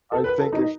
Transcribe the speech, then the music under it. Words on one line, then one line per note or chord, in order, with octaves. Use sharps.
I think i
A4
B4
A4
D#4